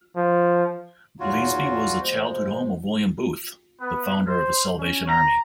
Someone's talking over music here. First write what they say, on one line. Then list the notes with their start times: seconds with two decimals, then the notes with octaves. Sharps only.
Bleasby was the childhood home of William Booth, the founder of The Salvation Army.
0.16 F3
1.20 E2 A#3 D#4 F4 F#4 C#5
2.02 G#3 A#3 C5
3.80 B3 B4
4.28 C5
4.80 C#4
5.08 A#5